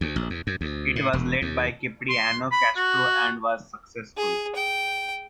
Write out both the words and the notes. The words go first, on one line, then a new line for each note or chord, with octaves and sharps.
It was led by Cipriano Castro and was successful.
D2
A#1
E2
F#2
D2
A2
E1
D#2
C6
B5
F#4
G#4
G5